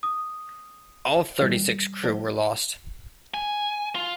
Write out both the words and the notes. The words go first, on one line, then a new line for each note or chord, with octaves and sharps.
All thirty-six crew were lost.
D#6
A1 D#3 G3
F3 D4
G#5
F4